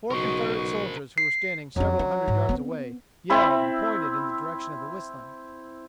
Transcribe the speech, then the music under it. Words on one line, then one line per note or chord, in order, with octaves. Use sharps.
Four Confederate soldiers who were standing several hundred yards away yelled and pointed in the direction of the whistling.
B1 C#3 F#4 A#4 C5 D#5 C#6
C#6
C7
F2 F#3 C#4
C#4
G#2
B3 C4
C4 E4 E5 B5